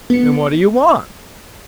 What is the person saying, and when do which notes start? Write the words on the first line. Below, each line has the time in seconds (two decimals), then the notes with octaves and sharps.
"Then what do you want?"
0.10 B3 C#7